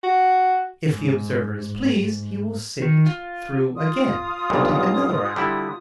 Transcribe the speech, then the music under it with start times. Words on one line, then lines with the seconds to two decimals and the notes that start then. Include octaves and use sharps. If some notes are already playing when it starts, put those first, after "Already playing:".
If the observer is pleased, he will sit it through again and take another hour.
0.04 F#4
0.92 G#2
2.82 D#3
3.06 F4
3.75 F4 D#6
4.50 B1 G2 A#2
5.36 D3 G3 E4